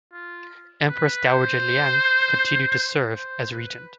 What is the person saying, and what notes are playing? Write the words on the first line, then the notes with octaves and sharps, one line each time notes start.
Empress Dowager Liang continued to serve as regent.
F4
B4
C5
C5
B4